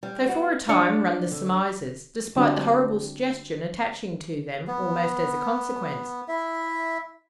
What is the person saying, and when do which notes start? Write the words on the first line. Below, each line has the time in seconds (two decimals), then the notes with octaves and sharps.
So for a time run the surmises, despite the horrible suggestion attaching to them, almost as a consequence.
0.03 G3
0.25 B3 F#4
0.69 D4 C#5 D5
1.31 D3
2.36 D3 G3 C4 D4 F#4 C5
4.67 B3
6.28 E4 E5